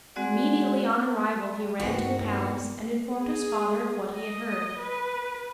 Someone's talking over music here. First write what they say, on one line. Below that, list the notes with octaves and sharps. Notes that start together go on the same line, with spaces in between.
Immediately on arrival he ran to the palace and informed his father of what he had heard.
G#3 C4 F#4 G#4 D5 F#5
E2 G2 C3 D#3 B3 C4 F#4
G#4
D#5
B4